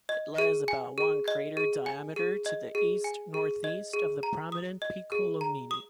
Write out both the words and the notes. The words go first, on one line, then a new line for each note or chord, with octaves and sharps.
It lies about one crater diameter to the east-northeast of the prominent Piccolomini.
D#5
G#4
G#5
G#4
D#5
G#4
G#5
G#4
D#5
G#4
G#5
G#4
D#5
G#4
A#5
D#6
D#5
G#4
A#5
D#6